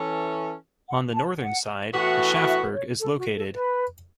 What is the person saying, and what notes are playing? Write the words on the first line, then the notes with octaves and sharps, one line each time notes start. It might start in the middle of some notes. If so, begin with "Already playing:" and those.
On the northern side, the Schafberg is located.
Already playing: E3 C#4 A4
F#5
A5
F#5
A2 E3 B3 F#4 F#5
E5
C#5
A4
F#4
A4
B4